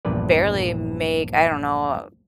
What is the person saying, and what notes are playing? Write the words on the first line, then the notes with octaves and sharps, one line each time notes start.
barely make, I don't know,
A#1 E2 G2 A#2 B4 D5